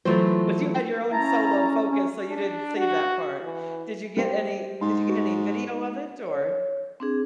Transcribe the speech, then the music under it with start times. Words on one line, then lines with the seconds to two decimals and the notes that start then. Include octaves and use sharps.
But you had your own solo focus, so you didn't see that part. Did you get any Did you get any video of it, or
0.05 E3 F#3 A3 F4 C5
1.12 C#4 E4 A5 A#5
1.91 C#4
2.28 D4
2.76 F#4
3.43 E3
4.17 G3 C5
4.81 G#2 C6
5.08 F#4
6.26 C#5
7.00 C4 D4 G#4